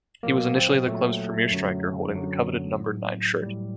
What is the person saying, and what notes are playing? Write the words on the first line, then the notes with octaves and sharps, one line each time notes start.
He was initially the club's premier striker, holding the coveted number nine shirt.
A#2 F#3 A#3
C4
A#2 F#3 A3
F#2 D3 F#3
F#2 D3 F#3
A2 F#3
A2 F#3 G3